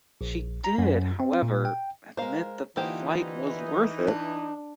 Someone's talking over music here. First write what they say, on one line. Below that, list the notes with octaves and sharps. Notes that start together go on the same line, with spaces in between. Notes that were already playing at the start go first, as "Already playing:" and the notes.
She did, however, admit that the flight was worth it.
A#1
A#5
F#2
C4
A#2
G5
G#3 A#4 C5 F5
D3 E3 A#3 D#4 F4 G4 C5
D4